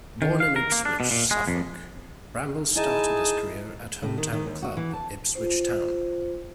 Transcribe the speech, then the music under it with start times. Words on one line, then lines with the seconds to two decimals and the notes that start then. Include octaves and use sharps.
Born in Ipswich, Suffolk, Bramble started his career at home town club Ipswich Town.
0.22 D#3
0.40 F5
0.56 A#4
0.72 A#3
0.85 D4
1.00 B2
1.11 A#2
1.31 G#3
1.48 F2
2.76 D#4 E4 G#4 D#5 G#5 A5
4.03 A2
4.18 D#3
4.33 D#3
4.46 D#2
4.62 F#4
4.77 E3
4.93 A5
5.35 F4 C5